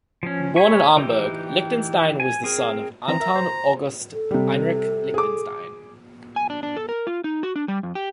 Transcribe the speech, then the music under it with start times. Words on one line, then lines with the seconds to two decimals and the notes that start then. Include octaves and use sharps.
Born in Hamburg, Lichtenstein was the son of Anton August Heinrich Lichtenstein.
0.23 F3 C#4
0.56 C#5 G#5 B5 C#6
0.97 E3 D#4 G4 G5
2.20 G#5
2.44 C4 G#4 A#4
3.08 D#3 E3 C4 A#5
3.20 A#4 E5
3.36 C5
4.14 A4
4.31 C3 G3
5.14 G#4 D6
6.36 G#5
6.50 D4
6.63 D4
6.77 A4
6.89 A#4
7.07 F4
7.24 D#4
7.43 F#4
7.56 D4
7.68 G3
7.83 F2
7.95 G4